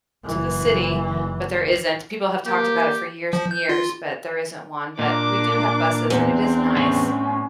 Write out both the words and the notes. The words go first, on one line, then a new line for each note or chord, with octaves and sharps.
to the city, but there isn't. People have talked about it for years and years, but there isn't one. But we do have buses and it is nice
F#1 E3
A#3 G4
F3
G6
F4
A#2 A#3 D4 D6
E2 C4 D4
A2 C#4